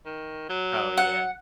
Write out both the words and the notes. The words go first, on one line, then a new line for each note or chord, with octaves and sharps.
Oh, yeah.
D#3
F#3
F#5